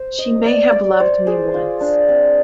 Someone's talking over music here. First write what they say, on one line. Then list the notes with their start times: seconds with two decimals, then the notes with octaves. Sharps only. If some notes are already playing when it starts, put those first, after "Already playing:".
She may have loved me once.
Already playing: C5
0.18 D#5
0.46 D5
0.72 D5
1.00 C5
1.27 G#4
1.54 F4
1.81 D4
2.09 C4